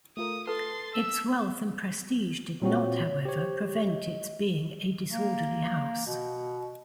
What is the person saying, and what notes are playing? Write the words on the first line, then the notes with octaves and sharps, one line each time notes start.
Its wealth and prestige did not, however, prevent its being a disorderly house.
A3 F4 A#4 D#6
A4 B4 A5 C6 A6
E5 E6
A#2 C4 F#4 C#5
G4 C5 C#5
D#5
A#3
B2